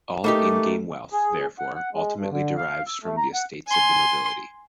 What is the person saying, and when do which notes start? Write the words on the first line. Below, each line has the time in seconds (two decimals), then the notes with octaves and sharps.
All in-game wealth, therefore, ultimately derives from the estates of the nobility.
0.24 A3 A#3 D#4 G4 D6
1.13 G#4
1.59 F#5
1.76 F#5
1.94 G#3
2.18 G2
2.31 D3
2.57 F5
2.87 E6
3.04 A3
3.18 A#5
3.34 F#5
3.68 G#5 C6